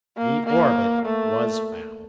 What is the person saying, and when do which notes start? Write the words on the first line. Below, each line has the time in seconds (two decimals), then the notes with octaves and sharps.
The orbit was found.
0.17 A#3
0.46 A#3
1.05 A3